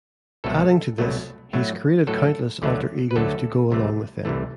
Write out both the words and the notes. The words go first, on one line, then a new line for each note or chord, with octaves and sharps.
Adding to this, he's created countless alter egos to go along with them.
C2 B2 F#3 A3 A4
C2 B2 F#3 A3
A2 F#3 A3
A2 F#3 A3 A4
D2 D3 F#3 A3
B4
D2 D3 F#3 A3 A4
C2 C3 E3 A3
C2 C3 E3 A3